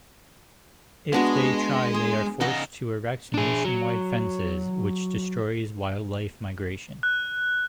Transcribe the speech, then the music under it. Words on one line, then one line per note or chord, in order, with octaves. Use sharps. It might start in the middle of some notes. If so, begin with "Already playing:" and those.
If they try they are forced to erect nationwide fences, which destroys wildlife migration.
G#3 B3 D4 F#4
G#4
C#3 D#4 D#5 F#5
D4 G#4
F#3
F#6